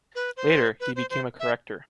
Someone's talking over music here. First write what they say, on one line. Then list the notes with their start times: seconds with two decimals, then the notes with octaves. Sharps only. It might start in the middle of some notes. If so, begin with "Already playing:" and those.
Later, he became a corrector.
0.15 B4
0.37 C5
0.80 B4
0.96 C5
1.10 C5
1.40 E5